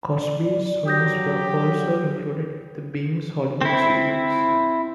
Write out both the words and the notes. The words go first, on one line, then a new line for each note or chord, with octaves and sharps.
Crosby's songs were also included in the "Bing's Hollywood" series.
D5
F#3 G4 D#6 G6 A#6
C4 E4